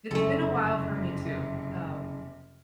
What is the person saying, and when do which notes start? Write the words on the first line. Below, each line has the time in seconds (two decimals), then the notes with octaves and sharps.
it's been a while for me too, um,
0.11 F#1 F2 C3 A3 A4